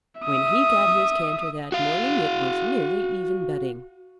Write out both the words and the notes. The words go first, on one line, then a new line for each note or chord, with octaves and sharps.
When he got his canter that morning, it was nearly even betting.
E5 D#6
F#4 F5